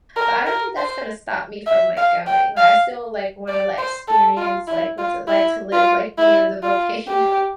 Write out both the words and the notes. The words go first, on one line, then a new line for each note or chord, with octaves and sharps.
but I don't think that's gonna stop me from, like, going, like, I still, like, wanna, like, experience, like, what's it like to live, like, near the volcanoes.
A#4
A#4
C5
E5
F5
G5
F5
D5
C5
A4
F4
E4
F4
E4
F4
E4
F4
G4